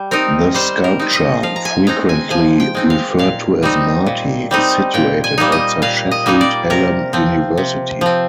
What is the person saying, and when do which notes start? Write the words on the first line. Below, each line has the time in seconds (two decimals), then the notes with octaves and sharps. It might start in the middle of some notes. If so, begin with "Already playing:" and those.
The sculpture, frequently referred to as "Marti", is situated outside Sheffield Hallam University.
Already playing: G3
0.11 C4 D#4 A#4
0.55 G3 C5
0.84 A#4
0.99 C4 D#4
1.14 D#5
1.43 F3 F5
1.56 A#5
1.65 G#5
1.87 G#3 C4 D#4 A#5
2.09 G#5
2.30 F3 G#5
2.60 G5
2.75 G#3 C4 D#4
2.90 F5
3.19 A#2 F5
3.63 G3 C4 D#4
4.06 A#2
4.51 G3 C4 D#4
4.94 A#2 G5
5.24 G#5
5.38 G3 A#3 D#4
5.52 D#5
5.82 A#2 F5
6.11 D#5
6.26 G3 A#3 D#4
6.41 D5
6.70 C3 A#4
7.13 F3 C4
7.58 C3
8.01 F3 C4